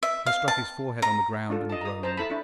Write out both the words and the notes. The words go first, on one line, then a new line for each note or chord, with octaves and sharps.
He struck his forehead on the ground and groaned.
E5
F5
A5
A#5
D4 F4 A4
D#5 A5
A#5 D#6
C5 A5 A#5
E4 A4 A5 B5
D4 E4